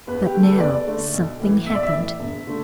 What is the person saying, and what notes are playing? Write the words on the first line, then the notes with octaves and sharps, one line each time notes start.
But now something happened.
E2 B4
G4
D3 A3
A4
B4
E2 D5
D3 A3
B1
A2 E3
B1 E5
D5
E5
A2 E3
E1
D3 A3